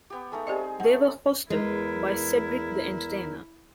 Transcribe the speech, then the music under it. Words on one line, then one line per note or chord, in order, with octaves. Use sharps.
They were hosted by Cedric the Entertainer.
B3 G4
G#3 A3 D#4
C4 G4 G#4 D5 D#5
A3 D#4 F#5
E2 G#3 E4 A#4 B4